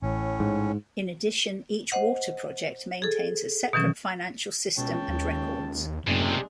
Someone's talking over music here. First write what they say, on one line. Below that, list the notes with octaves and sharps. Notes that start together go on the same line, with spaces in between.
In addition, each water project maintains a separate financial system and records.
A1 A2 C#4
G#2
C5 D#5 F#5
G#4 A4
B2 D#3 E3 F#3 C#4
C#2 B2 C#5 G5 A5
D#2
F#1 F#2 A2 C3 G#3 D4